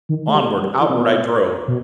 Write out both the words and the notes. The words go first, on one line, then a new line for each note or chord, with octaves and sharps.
Onward, outward, I drove.
D#3
A3
G3
A3
G3
E3
C3
B2
B2